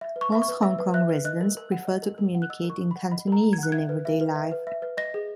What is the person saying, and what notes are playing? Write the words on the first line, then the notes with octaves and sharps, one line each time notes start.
Most Hong Kong residents prefer to communicate in Cantonese in everyday life.
E5
B4
C#6
E5 B5
C#6
B4
E5 E6
B4
E5 F#6
B4
D#5 F#6
A#4
A#4
F#5
D#5
A#4
A#4
F#5
F#6
D#5 E6
A#4
C#6
A#4
B5
F#5
D#5 B5
A#4 A#5
A#4
G#6
F#5 F#6
E5 G#6
B4
E5
B4
E5
B4
E5
B4
D#5 A#6
G#4